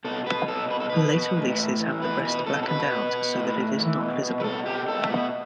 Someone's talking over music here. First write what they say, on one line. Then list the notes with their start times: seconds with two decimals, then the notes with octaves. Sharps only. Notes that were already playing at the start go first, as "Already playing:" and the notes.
Later releases have the breast blacked out so that it is not visible.
0.05 B2 A4
0.26 B2 B4
0.48 B2 A4
0.71 B2 B4
0.80 A4
0.90 B2 B4
1.15 B2
1.37 A2
1.58 A2
1.80 E3
2.02 B2 B4
2.24 B2 B4
2.46 B2 A4
2.63 A4
2.68 B2 B4
2.90 B2
3.12 B2
3.34 A2
3.56 A2
3.78 E3
4.00 B2
4.22 B2
4.40 B4
4.44 B2 A4
4.66 B2 G4
4.88 B2 A4
4.99 A3
5.10 B2 B3